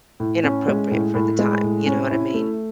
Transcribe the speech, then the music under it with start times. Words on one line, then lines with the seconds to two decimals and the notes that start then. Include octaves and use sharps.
inappropriate for the time. You know what I mean?
0.20 A2
0.44 C#4
0.68 G#3
0.91 A2
1.15 A2
1.39 G#3
1.63 A2
1.86 C#4
2.10 E4
2.34 A3